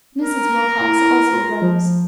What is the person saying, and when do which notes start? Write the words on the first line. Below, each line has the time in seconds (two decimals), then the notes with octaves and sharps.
Mrs. Wilcox also rose.
0.23 A#4
0.81 E4
1.32 F4
1.62 F3